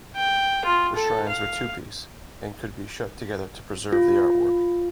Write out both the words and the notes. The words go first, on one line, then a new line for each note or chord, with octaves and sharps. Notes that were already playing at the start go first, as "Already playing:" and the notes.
The shrines were two-piece, and could be shut together to preserve the artwork.
G5
F4
A4
F5
F4